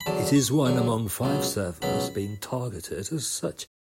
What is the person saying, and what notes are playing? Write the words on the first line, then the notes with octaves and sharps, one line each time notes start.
It is one among five servers being targeted as such.
B5
E2 D3 F#3 A5
C#6
E2 D3 F#3 C#6
C#2 B2 F#3 B3
C#2 B2 F#3 B3 B5